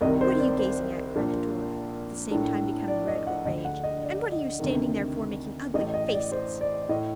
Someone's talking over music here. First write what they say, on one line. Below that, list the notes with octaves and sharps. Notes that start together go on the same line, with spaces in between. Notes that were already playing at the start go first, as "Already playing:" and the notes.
"What are you gazing at?" cried the dwarf, at the same time becoming red with rage; "and what are you standing there for, making ugly faces?"
C2 C3 D#3 D#5
C5
D5
C5
A#1 A#2
A#1 A2
D5
D#5
F#5
D2 D3 D#5
F#5
D#5
D5
D#5
D2 C3 D#3
A1 A2 D#5
D#5
D5
C5
D5
A2 D#5